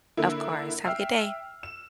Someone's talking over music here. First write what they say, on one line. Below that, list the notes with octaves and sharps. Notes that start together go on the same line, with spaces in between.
Of course. Have a good day.
D3 A#3 E4
E5 G5 E6 F6 C7
E7